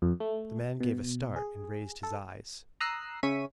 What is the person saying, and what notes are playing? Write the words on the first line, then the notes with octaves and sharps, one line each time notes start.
The man gave a start and raised his eyes.
F2
A3
B2
G#4
A4
A#5 D#6 E6 F#6 C7
C#3 C#4 E5 C#6 B6 D#7